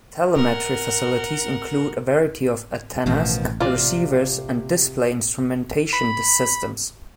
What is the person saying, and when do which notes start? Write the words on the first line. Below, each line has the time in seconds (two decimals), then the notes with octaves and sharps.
Telemetry facilities include a variety of antennas, receivers, and display instrumentation systems.
0.35 A#4 F#5
3.06 A1 B2 D#3 F3
3.60 C3 F4 D5
5.93 B5